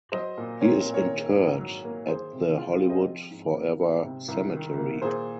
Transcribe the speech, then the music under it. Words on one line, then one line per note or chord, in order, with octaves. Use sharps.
He is interred at the Hollywood Forever Cemetery.
F#3 C5 D#5
A#2
C4 A#4 C#5
A#2
A#4 C#5
D#3
G#2
F#3
A#3
D#3 G#4 C5
C3
G#3 F4
F4
C4
C5 D#5
F3
G#2
A#3
G#2
C3
C2
D#3
A#3
A#2 G#4 C5